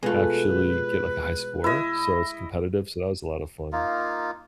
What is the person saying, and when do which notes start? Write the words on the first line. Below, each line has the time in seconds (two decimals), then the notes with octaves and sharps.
actually get, like, a high score, so it's competitive, so that was a lotta fun.
0.03 B2 G#3 A3 F4 B4
1.64 E4 D#5
3.73 A#3 D#4 F4